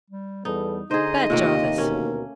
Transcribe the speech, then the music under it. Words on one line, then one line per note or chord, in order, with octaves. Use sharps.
Bat Jarvis.
G3
E2 G3 B3 D#4 A4
D3 D#4 G#4 C5 D#5
D#2 C3 A3 A#3 F4
D2 B2 C#4 A#4